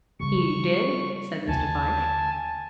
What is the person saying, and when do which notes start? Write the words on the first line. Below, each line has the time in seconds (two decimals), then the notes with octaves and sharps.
"He did," said Mr. Fyshe.
0.20 C#3 G3 C#6
1.48 D#2 D3 G#5 A5